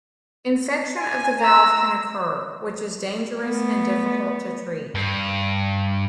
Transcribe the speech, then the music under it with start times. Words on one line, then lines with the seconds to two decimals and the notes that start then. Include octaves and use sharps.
Infection of the valve can occur, which is dangerous and difficult to treat.
0.98 G#5
1.41 A#5 E6
3.41 A3 B3
4.95 G2